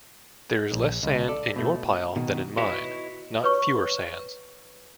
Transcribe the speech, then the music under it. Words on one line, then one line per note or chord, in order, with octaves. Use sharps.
There is less sand in your pile than in mine, not fewer sands.
A#1
C#2
A4 D5
B2 A3
B2 D#3
E4 F#4 B4 C#5 D#5 E5
B4 C#5 C#6